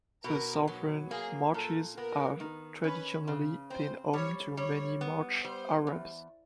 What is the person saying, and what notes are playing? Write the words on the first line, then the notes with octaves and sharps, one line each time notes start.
The southern marshes have traditionally been home to many Marsh Arabs.
B2 A#4
F#3
A#3 G#4
A#2 A4
B3 A#4
D#3
C#4 B4
C#3
C4 C5
G3 C#5
G3 C#5
B3
G3 C5
E2